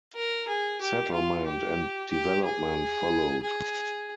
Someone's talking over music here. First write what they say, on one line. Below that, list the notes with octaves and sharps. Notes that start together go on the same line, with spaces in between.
Settlement and development followed.
A#4
G#4
G4
F4
G4
G4
G#4
G#4